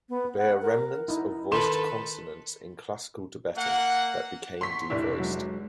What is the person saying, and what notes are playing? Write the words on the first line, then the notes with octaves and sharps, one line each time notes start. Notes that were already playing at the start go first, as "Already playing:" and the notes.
They are remnants of voiced consonants in Classical Tibetan that became devoiced.
B3
F#5
A#4
D#4 E4
D#3 D#4 A4 B4 C6 E7
A#3 F#5
C6 C#6 B6
F1 D4 E4
F#3 G#3